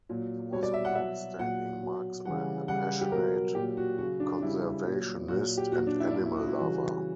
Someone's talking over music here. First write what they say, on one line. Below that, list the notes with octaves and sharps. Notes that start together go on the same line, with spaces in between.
He was an outstanding marksman, a passionate conservationist and animal lover.
A#2 F#3
B2 G3 C#5
D5
E5
F#5
B2 F#3 E5
A#2 F#3 F#5
B2 F#3
C#3 E3 G3 F#5
C#3 G3 F#5
G4
B2 F#3 A#4
A#2 F#3 G4
F#4
C#3 F#3 F#4
D4
C#3 G3 E4
A#2 F#3
A#2 F#3 F#4
G4
A#2 F#3 F#4
D4
E4
D4
A#2 F#3 E4
E4
F#4
E4
C#3 E3 G3 F#4